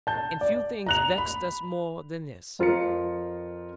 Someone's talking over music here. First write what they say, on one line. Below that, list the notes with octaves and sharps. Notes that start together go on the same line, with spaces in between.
And few things vexed us more than this.
A5 G6
D5
A#5 F#6 F7
B5
F2 F3 F4 A#4 A#5 C#7